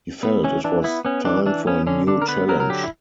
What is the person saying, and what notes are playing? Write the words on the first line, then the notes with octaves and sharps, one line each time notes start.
He felt it was time for a new challenge.
B3
E3 C#4
E3 D4
B3 E4
B3 C#4
E3 D4
E3 D4
B3 C#4
D3 C#4
D3 D4
A#4
B3 B4
F#3 A#4
A#4
D3 G4
E4